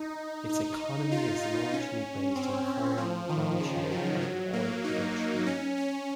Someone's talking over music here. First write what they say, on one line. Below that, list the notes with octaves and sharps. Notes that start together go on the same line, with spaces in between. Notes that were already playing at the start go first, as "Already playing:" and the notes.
Its economy is largely based on farming, ranching and oil production.
Already playing: D#4
D#4
F4
D#4
C#4
C4
F3
D#3
C#3
F#3
F#3
A#3
D#4
C#4
C#4